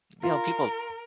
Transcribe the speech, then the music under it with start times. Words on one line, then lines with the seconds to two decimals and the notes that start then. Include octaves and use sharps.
you know, people
0.23 F4 A#4